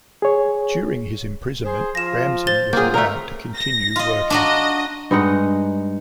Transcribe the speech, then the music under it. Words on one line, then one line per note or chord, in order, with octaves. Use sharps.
During his imprisonment, Ramzin was allowed to continue working.
G#4 C#5
G#4 C5
F3 F4 A#6 E7
C5 A6 G7
F#3 A#3 F4 G#4 G6
A3 A#4
A#6
F4 D#5
D4 F#4 D#5 A#5
G2 G#3 D#4 F#5